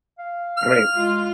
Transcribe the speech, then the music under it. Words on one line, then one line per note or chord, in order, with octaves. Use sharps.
I mean,
F5
F6
G#3 F4